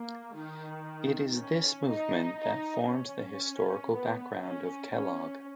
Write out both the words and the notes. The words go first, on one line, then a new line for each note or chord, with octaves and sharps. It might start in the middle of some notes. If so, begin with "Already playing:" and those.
It is this movement that forms the historical background of Kellogg.
Already playing: A#3
D#3
C#4
D#4
D#4
C#4
B3
C#4
C#4